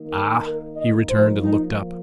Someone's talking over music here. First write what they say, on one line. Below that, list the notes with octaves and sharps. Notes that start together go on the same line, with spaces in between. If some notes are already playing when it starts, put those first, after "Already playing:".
"Ah!" he returned, and looked up.
Already playing: D#3 A#3 D#4
A#4
A#4
D#5
F3 A#3 D#4 C5
D#4